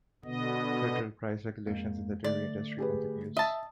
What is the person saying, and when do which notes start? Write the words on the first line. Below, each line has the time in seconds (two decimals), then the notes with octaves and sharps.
Federal price regulation in the dairy industry continues.
0.25 B2 D3 B3 D#5
1.67 F2 G#3 A#3
2.24 D3 A3 D5
2.78 G4 G#4 B4
3.37 D#5 E5 A5